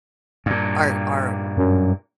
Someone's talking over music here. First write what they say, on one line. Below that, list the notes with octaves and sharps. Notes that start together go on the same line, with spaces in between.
our our
G2 A#2
F#2